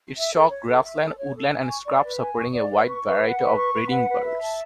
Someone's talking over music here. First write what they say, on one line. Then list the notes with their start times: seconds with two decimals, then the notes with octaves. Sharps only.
Its chalk grassland, woodland and scrub supporting a wide variety of breeding birds.
0.16 E5
0.34 A4
0.49 C#5
0.67 A4
0.84 E5
1.02 A4
1.19 C#5
1.36 A4
1.52 G#5
1.69 C#6
1.85 D5
2.03 B4
2.20 G#5
2.37 C#6
2.54 D5
2.71 B4
2.88 C#6
3.05 B4
3.23 F#5
3.39 B4
3.56 C#6
3.73 B4
3.90 F#5
4.08 B4
4.24 E5
4.41 A5